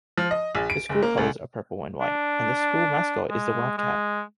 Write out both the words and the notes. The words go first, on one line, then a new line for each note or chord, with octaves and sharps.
The school colors are purple and white and the school mascot is the Wildcat.
F3
D#5
A#1
D7
F#1
A#3
C#2
D4
G#3
G#3